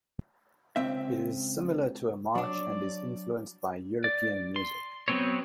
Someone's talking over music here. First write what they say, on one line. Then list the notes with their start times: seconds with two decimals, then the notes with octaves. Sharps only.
It is similar to a march and is influenced by European music.
0.76 C#2 C4 E5
2.35 F#3 D4 D5
4.04 D5
4.56 C6
5.08 F#3 B3 C4 C5 C#5